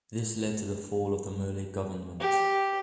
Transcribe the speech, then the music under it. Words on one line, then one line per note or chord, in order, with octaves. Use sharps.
This led to the fall of the Mollet government.
G4